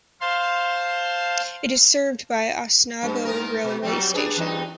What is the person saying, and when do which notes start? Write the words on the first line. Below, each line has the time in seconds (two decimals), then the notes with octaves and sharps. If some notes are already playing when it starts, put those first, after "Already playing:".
It is served by Osnago railway station.
0.21 C5 F5 A5 C6
3.03 G2
3.25 G#2 B3 A#4
3.64 B2
3.82 F#3 G3 C4
4.14 D4 G#4 B4
4.37 E2 G2 D#4